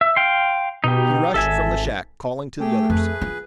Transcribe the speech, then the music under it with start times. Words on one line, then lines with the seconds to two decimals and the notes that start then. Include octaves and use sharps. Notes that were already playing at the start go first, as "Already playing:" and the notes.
He rushed from the shack, calling to the others.
0.01 E5
0.16 F5 G5 C6
0.84 B2 D#4 G4
1.34 G#1 A4 E5 G#5
2.60 A3 G4 G#4 G5
2.90 F2 G#4 B4
3.21 F4